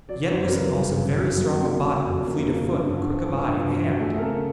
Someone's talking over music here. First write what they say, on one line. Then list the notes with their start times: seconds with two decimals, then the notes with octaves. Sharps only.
Yet was he also very strong of body, fleet of foot, quick of eye and hand.
0.09 F#3 D5
0.30 F#2 C5
0.47 A#4
0.52 C#3 B4
0.75 G1
0.95 F#3
1.18 F#2
1.40 A#3 F#4
1.61 C#3
1.83 F#3
2.05 F2
2.27 A#3
2.49 C#3
2.70 G2
2.92 D3
3.13 F3
3.35 G2
3.58 G2
3.68 F#4
3.78 D3
4.00 A3 G#4
4.18 A#4
4.22 C#3 A4